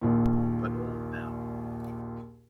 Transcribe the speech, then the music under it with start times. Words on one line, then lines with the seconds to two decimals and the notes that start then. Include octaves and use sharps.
But old now.
0.01 A#1 D#2 A#2